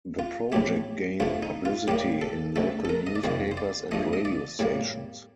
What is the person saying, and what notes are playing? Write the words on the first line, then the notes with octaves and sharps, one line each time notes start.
The project gained publicity in local newspapers and radio stations.
F4
A#1 A2 A3 G4
D2 D3 A3 F4
D#4
F4
A2 G3 A#3 G4
A4
D2 D3 A3 A4
A4
A#4
D#5
D5
F2 C3 D#3 G3 A#3 C5
C5
D5
G2 F3 A3 D#5
D#5
D5
A2 G3 A#3